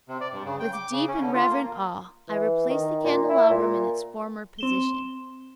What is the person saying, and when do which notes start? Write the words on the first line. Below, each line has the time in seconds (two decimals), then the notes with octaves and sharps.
With deep and reverent awe I replaced the candelabrum in its former position.
0.08 C3
0.21 D5
0.33 G2
0.45 C#3
0.60 G5
0.73 D6
0.91 C#3
1.08 C#4
1.21 D3
1.34 F4
1.50 A#3
2.28 E3
2.69 D#3
3.04 A#2
3.29 E4
3.50 A#2
4.58 C4 E7 G7